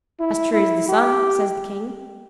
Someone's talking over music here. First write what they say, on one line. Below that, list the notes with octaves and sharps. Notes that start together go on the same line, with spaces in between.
"As true as the sun," says the king.
E4
E4
G4